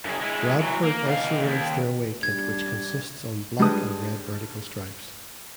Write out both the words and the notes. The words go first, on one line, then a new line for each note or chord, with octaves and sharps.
Bradford also released their away kit which consists on Black and Red vertical stripes.
F#2 G#4
G#3 E4
E3 F#3
A#3
B2 F5
D#2 A#2
G3 D4 G#6
G3 G#3 D4 B4 A5 D#6